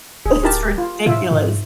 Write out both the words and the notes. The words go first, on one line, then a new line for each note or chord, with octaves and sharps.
It's ridiculous.
D1 G#4
G4 A#4 A5
F4
A2 F4 E5
G#2